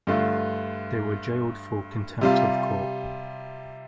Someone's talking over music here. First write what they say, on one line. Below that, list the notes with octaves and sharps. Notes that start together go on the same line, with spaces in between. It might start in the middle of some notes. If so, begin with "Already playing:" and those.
They were jailed for contempt of court.
G2 D3 A3 F4
C3 G3 F4